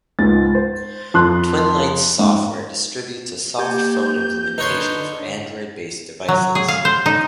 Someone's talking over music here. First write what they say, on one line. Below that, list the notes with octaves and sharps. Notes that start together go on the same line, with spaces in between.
Twinlights Software distributes a soft phone implementation for Android-based devices.
C#2 G#2 A6
C5
F2 C6 F#6
G#2
A#3 G4 G6 G#6
D3 D4 D#4 B4 C#5 C6
F#3
G#4
F5
C5
D#4